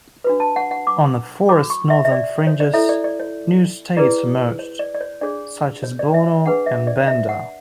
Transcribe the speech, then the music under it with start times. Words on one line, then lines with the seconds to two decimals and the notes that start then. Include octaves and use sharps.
On the forests northern fringes, new states emerged such as Bono and Banda.
0.24 D4 F#4 B4
0.40 A5
0.56 F#5
0.71 F#5
0.87 D6
1.49 F#4 C#5 D6
1.70 C#6
1.90 E5
2.05 E5
2.12 D5
2.47 C#5
2.60 D5
2.73 E4 A4 C#5 E5
2.89 D5
3.04 D5
3.20 C#5
3.97 E4 G#4 B4 D5
4.59 C#5
4.79 D5
4.95 D5
5.01 C#5
5.21 D4 G#4 C#5 D5
5.83 C#5
5.99 D5
6.14 E5
6.45 D4 G#4 B4 F#5
6.66 E5
6.87 D5
7.08 E5
7.29 F#5